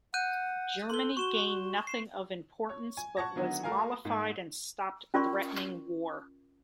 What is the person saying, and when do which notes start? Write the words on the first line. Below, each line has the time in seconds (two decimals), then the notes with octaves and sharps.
Germany gained nothing of importance but was mollified and stopped threatening war.
0.14 F#5 F#6 G6 D#7
0.90 A4 C6 G7
1.17 F#4 C#6 E7 G7
1.87 C7 E7
2.69 C#5
2.97 G#5
3.17 F#5 A5 C#6 G#6 A#6
3.36 D3 D#3 F#3 B3 F#4
3.63 A3 F#4 A#4 F5 G#5
4.05 G#2 A#3
5.14 C#4 F4 A#4 D5 C6 C#6